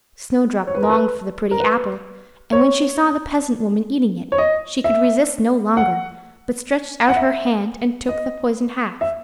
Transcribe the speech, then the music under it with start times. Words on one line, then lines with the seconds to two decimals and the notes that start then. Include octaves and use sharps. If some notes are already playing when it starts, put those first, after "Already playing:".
Snowdrop longed for the pretty apple; and when she saw the peasant-woman eating it, she could resist no longer, but stretched out her hand and took the poisoned half.
0.67 C#5
0.75 B4
0.82 A#4
0.90 B4
1.51 A#4
1.60 B4
2.52 C#5
4.32 C#5
4.38 D#5
4.84 E5
5.77 F#5
7.09 F#5
7.16 E5
8.09 D#5
9.01 E5